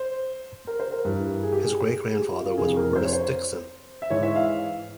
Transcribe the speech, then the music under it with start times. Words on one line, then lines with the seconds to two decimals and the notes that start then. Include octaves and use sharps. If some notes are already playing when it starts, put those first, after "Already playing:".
His great grandfather was Robertus Dixon.
Already playing: C5
0.67 A#4
0.80 C5
0.92 A#4
1.05 G2 E3
1.43 G#4
1.53 G4
1.63 G#4
2.13 G#4
2.20 G4
2.32 F4
2.45 F4
2.58 F2 C3 E3 G#4
2.77 A#4
2.96 C5
3.04 C#5
3.13 C5
4.02 E5
4.10 G#2 E3 C#5
4.23 E5
4.36 F5